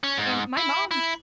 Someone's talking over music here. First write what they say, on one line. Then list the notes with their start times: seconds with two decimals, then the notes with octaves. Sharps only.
And my mom's
0.03 C#4
0.18 G#2
0.57 E4
0.91 E4